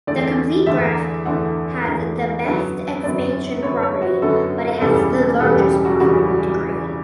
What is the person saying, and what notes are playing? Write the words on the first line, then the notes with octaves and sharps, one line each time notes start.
The complete graph has the best expansion property, but it has largest possible degree.
E2 D3 A3 D5
E2 D3 A3 E5
E2 D3 A3 F#5
E2 D3 A3
F#2 D3 F#3 B3 E5
F#2 D3 F#3 B3 D5
F#2 D3 F#3 B3 C#5
C#5
F#4
F#2 D3 F#3 B3 A4
E1 E2 C#3 G3 A4
E1 E2 C#3 G3 A4
G4
G4
F#4
E1 E2 C#3 G3 F#4